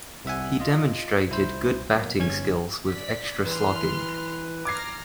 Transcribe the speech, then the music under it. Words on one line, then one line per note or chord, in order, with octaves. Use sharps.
He demonstrated good batting skills with extra slogging.
C2 C3 E5 F#5 G#5
F4 D#5
C2 E4 C5
B2 F#3 A#3
G1 C#4 G#6
D5 B6
E3 B4 C6 F6
A#5 D6 F6 G#6 A#6 C7